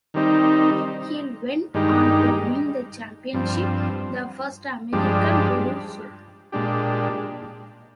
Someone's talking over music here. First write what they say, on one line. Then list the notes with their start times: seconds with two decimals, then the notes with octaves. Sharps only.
Hill went on to win the championship, the first American to do so.
0.14 D#3 G3 C4 D#4
1.74 G2 D#3 G#3 D#4 G4
3.34 G2 F3 C4
4.93 G2 F3 G#3 D4 G4
6.52 A#2 G#3 D4 G4